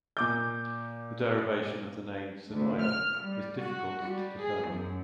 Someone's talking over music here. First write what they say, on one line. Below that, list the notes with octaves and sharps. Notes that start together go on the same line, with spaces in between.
The derivation of the name "Senoia" is difficult to determine.
A#2 D6 G6
D2
F6
G3
F#4
G3
G#4
F#2